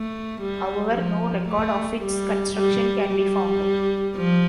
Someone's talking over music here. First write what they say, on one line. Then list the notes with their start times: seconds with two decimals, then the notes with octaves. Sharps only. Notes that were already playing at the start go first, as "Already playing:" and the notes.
However, no record of its construction can be found.
Already playing: A3
0.42 G3
0.95 F3
1.49 A3
2.02 G3
2.56 G3
3.09 G3
4.16 F3